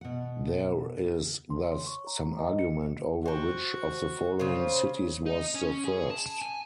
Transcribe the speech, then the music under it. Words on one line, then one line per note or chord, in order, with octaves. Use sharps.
There is thus some argument over which of the following cities was the first.
B2 F#5
C6
C#5
C#6
A#5
D#5
C#7
F#4 C5 G5
C#3 F4 C5
D#4
C#4
G#4
A5
G#5